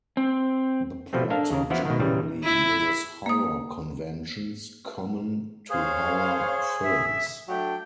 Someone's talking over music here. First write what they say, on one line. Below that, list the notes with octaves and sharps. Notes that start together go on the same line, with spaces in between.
The plot generally uses horror conventions, common to horror films.
C4
B2 F3 G3 A3 C4
A#3 D4 A4 F5
D#2 C#3 A#4
E3 F3 B3 E4 F#4
B2 D#3
A#2 C#3 E3 G3
E4
A#3 D#6
G#4 C5 C#5 F5
E5
F#3 A3 D4 G5